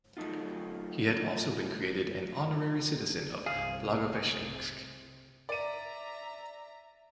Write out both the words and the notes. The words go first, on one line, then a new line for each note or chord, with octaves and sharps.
He had also been created an honorary citizen of Blagoveshchensk.
F#3 A3 D#4 F4
G1 C2 C3 G#4 F5
D5 E5 A#5 D#7